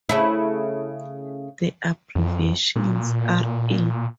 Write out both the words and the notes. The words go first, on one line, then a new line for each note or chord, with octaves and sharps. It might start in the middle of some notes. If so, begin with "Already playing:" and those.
The abbreviations r.e.
C#3 A3 E4
F2
A#2